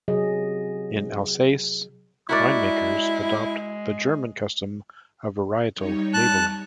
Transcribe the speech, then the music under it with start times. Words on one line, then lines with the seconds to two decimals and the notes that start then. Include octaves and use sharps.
In Alsace, winemakers adopt the German custom of varietal labeling.
0.08 C3 F#3 G#4 D#5
2.29 G#3 E4 F#4 A#4 D5
5.75 G3 D#4 C#5
6.14 A5 F#6